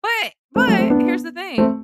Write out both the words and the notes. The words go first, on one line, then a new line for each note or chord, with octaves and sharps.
But but here's the thing,
A3 C4
F#3 A3
A3 C4
B3 D4
A3 C4